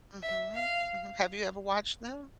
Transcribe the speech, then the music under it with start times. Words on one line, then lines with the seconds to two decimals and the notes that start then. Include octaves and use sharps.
Mhm. Mhm have you ever watched them?
0.23 E5
0.55 F5